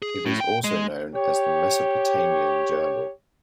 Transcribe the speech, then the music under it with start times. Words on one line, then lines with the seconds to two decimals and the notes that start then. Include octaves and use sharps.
It is also known as the Mesopotamian gerbil.
0.02 G#4
0.26 A2
0.40 G5
0.64 G#3
1.15 G4 C#5